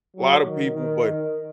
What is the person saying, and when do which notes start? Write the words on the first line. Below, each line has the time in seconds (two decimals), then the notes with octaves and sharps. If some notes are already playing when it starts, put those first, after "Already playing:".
lotta people but
0.16 F#3
0.46 D#3
0.74 D#3
1.03 D#3